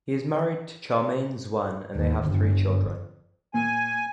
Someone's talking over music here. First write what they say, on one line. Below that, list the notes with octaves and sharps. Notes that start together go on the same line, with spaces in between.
He is married to Charmaine Zwane and they have three children.
D#2
G1
A#2 G#5